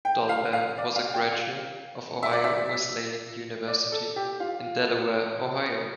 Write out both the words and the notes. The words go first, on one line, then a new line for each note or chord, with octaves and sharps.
Dolbear was a graduate of Ohio Wesleyan University, in Delaware, Ohio.
G5
F5
F5
D5
F5
G5
F5
E5
D5
E5
D5
A4
G4
F4